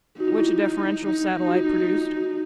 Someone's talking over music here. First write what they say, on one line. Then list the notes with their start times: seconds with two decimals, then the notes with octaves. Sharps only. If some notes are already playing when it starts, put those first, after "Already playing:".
Which a deferential satellite produced.
0.20 D#4 F#4
0.28 F4
0.38 E4
0.47 F4
1.07 D#4
1.47 F#4
1.51 F4
1.73 F#4
1.95 F4
2.17 F#4